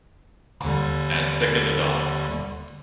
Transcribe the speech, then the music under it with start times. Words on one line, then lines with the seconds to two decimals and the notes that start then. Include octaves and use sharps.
As sick as a dog.
0.64 D#2 D3 G3